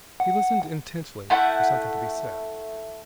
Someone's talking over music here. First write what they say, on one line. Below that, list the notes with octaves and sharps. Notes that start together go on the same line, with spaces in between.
He listened intently for something to be said.
F#5
A3 E4 F#5 G6